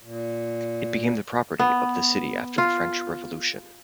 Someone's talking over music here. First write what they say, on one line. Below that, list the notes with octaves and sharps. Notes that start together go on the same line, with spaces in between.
It became the property of the city after the French Revolution.
A#2
B3
F4